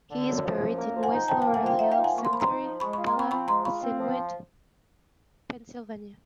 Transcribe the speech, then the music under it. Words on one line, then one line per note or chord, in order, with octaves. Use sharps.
He is buried in West Laurel Hill Cemetery, Bala Cynwyd, Pennsylvania.
D3
F#2
F3
F#2
A#3
F3
F#5 G#5
D#4
F3 G5 A5
G5 A5
A#3
F#5 G#5
F3 F5 G5
D#4 E5 F#5
F5 G5
F3
F#5 G#5
A#3
C#6
C6
F3 B5
A#5 C6
D#4
F3
G#3 B5 C#6
B5 C#6
F4
A#5 C6
C4 B5 C#6
F3 B5 C#6
G#3 A#5 C6
F4 B5 C#6
C4
F3